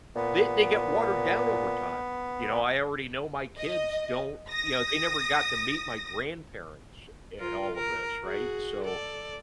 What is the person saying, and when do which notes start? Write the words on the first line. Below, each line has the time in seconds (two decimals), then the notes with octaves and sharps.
they they get watered down over time, you know, I already know my kids don't You know, they never got to meet my grandparents and all of this, right? So,
0.16 A#2 B3
3.56 D#5
4.50 D#6 A#6
7.39 F4 A#4
7.75 A#4
8.25 F#4 G#4
8.84 A4 D5